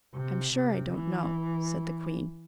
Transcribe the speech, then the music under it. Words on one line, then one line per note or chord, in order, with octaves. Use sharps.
"I'm sure I don't know," said the queen.
C3
C3
E3